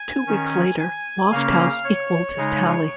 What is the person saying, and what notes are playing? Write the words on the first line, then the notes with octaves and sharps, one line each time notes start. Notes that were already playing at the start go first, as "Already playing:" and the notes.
Two weeks later, Lofthouse equalled his tally.
Already playing: G#5
D#3 C#4
G#5
C#3 A#3 C#4 F5
C#5
C#3 G#3 D#4